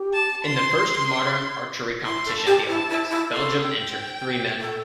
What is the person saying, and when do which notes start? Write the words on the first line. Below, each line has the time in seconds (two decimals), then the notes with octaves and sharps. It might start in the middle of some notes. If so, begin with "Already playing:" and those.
In the first modern archery competition at the Olympics, Belgium entered three men.
Already playing: G4
0.13 A5
0.45 C6
2.05 E4 C6
2.26 A4
2.37 A5
2.47 G4
2.68 E4 A5
2.90 E4
3.11 E4
3.33 A4 C6
3.64 G5
4.60 A4